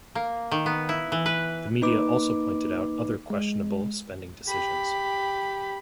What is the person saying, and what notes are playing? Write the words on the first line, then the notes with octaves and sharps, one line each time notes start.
The media also pointed out other questionable spending decisions.
A#3
D#3
B3
E4
E3
B4
A#3 D#4 B4 D6
G#3
G4 B5